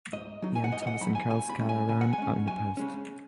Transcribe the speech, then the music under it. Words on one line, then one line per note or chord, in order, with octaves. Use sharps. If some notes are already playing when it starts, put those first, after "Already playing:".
Ian Thomas and Karl Skala ran unopposed.
G#2 D#5
F#3 D#4
G#5
F#5
G#2 D#5
D#5
F#5
F#3 D#4 B5
G#5
C#3 G#5
B5
G#3 C#4
G#5
C#3 G#5
F#5
G#5
G#3 C#4
F#2 G#5
C#3 G#3 C#4